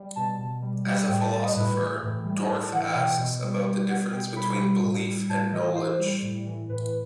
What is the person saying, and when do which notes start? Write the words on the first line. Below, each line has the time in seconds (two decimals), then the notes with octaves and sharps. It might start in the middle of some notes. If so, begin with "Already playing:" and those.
As a philosopher, Dorff asks about the difference between belief and knowledge.
Already playing: G3
0.16 B2 A5
0.39 B2
0.62 G3
0.86 G3
1.09 A2 G5
1.21 A5
1.32 G3 A5
1.45 D#5
1.56 A2 B4
1.79 E3
2.03 A2
2.25 G3
2.49 A2 A5
2.61 A5
2.73 E3 F#5
2.84 G5
2.95 B2 G5
3.19 B2
3.43 G3
3.66 G3
3.89 B2 F#5
4.12 B2 G5
4.36 G3 B5
4.60 G3
4.82 A2
5.06 G3
5.29 A2 A5
5.52 E3 D#5
5.76 A2 C5
5.99 G3
6.22 A2
6.46 E3
6.69 A2 B4